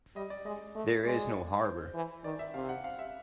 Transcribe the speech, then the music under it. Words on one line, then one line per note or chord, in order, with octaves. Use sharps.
There is no harbour.
G3 D#5
D5
G#3 D#5
A3
G#3 D5
C5
E3
D#3 D5
E5
C3 F5
F#5
F5
E5